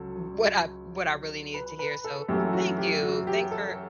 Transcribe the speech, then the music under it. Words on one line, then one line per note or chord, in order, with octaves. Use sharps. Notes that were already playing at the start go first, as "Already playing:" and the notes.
w what I what I really needed to hear. So, thank you. Thanks for
Already playing: C#2 C#3 F#3 A4
B4
B4
A4
F#2 E3 A3 G4
F#4
G4
F#4
G4
A4